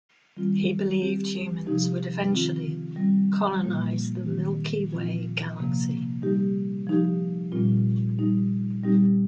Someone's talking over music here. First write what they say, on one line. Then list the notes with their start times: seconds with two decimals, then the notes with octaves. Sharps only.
He believed humans would eventually colonize the Milky Way galaxy.
0.36 D#3 G3 C4 F4
1.01 G3 C4 G4
1.67 C3 F3 D#4 G4
2.32 D#3 C4 F4
2.96 G3 C4 F4
3.62 A#2 F3 A#3 F4
4.26 D#3 C4 G4
4.93 A#2 F3 C4 F4
5.58 C3 F3 A#3
6.22 G3 D#4 G4
6.87 F3 D#4 G4
7.52 A#2 G3 C4 F4
8.17 G3 D#4 G4
8.82 A#2 G3 C4 D#4 G4